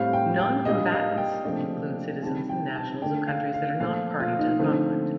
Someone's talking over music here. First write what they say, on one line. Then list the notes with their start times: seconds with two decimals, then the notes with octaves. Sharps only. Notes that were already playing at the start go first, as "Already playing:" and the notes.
"Non-combatants" include citizens and nationals of countries that are not party to the conflict.
Already playing: A2 G3 C4 F5
0.13 G5
0.39 G5
0.65 A#2 G3 A#3 D4 D#5
0.92 F5
1.17 G5
1.44 C3 F3 A3 D4
2.22 C3 D#3 G3 C4 A5
2.49 G5
2.76 A5
3.02 D3 A3 D4 G5
3.27 F5
3.54 F5
3.80 A#2 F3 A3 F5
4.20 F4
4.39 D#4
4.59 D3 F3 A3 C4